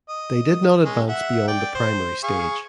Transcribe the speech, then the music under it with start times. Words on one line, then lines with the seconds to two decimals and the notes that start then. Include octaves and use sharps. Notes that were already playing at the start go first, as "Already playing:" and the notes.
They did not advance beyond the primary stage.
0.09 D#5
0.85 G#3 C#4
1.08 E5 F#5
1.48 D5 G5
1.74 C5
2.23 G#4 F5 C#6